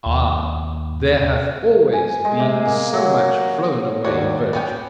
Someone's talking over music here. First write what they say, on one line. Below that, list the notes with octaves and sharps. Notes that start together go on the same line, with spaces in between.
Ah, there hath always been so much flown-away virtue!
D#2
G#5
G#3
C3
A#3
F#3
D#2 F3 F#4 C#5 D5
B3 C#4 G5